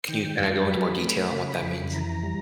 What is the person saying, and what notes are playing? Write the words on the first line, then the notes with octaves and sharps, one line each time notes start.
Can you kinda go into more detail on what that means?
D#3 G5
F#2
F#3 B5
A3
C#3
F2
E3 A#5
G3